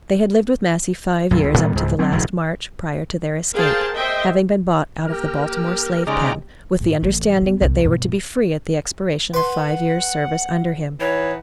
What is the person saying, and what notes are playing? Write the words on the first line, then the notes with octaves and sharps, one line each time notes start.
They had lived with Massey five years up to the last March prior to their escape, having been bought out of the Baltimore slave-pen, with the understanding that they were to be free at the expiration of five years' service under him.
B1 F#2
C#2
A2 D#3 G3 B3
C#2 G#2
F#3 C4
F1 A#1 F#2 D#3
G#4 A#4 C5 F5 G5 A5
C5 D#5 E5 G5
A#3 G4 A#4
C#3 G#3 D#4 D5 G5 A#5
G#2
A1 A2
F#3 B3
C2 C4
G2 B2
B4 F#5 C6
E3 D#4 C#5 F#5